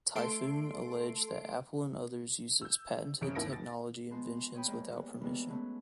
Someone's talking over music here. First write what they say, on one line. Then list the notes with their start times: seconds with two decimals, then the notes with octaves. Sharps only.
Typhoon alleged that Apple and others used its patented technology inventions without permission.
0.15 A3 A4 C6 D7
2.61 E6 G6
3.21 F#1 C#3 C#4 D7
3.35 G#1 D#2 A#3 E4 A#6 D7
3.53 A6
4.11 F3 G#3 B3 C6
4.54 C#5 D#5 G5 B5
4.66 E2 G#3 A#3
4.88 G3 F#4
5.21 E3 G3 G#3 A#3 B3
5.48 F#3 G#3 A3 B3 C#4